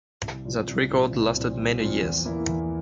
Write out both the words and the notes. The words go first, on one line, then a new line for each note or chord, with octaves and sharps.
That record lasted many years.
C2
A#2 F3 C4
C2
A#2 F3 C4
C2
A#2 F3 C4
C2
A#2 F3 C4
E2
E3 A#3 E4
E2